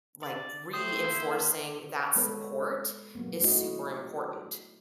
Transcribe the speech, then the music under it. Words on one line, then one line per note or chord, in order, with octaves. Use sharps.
like, reinforcing that support is super important.
D5
A3 G4 C5 D#6
A#3 E4 E5
G#3 B3 A4 B4 C#5
F#3 A#3 B3
A3 D#4 E4 F#4 D#5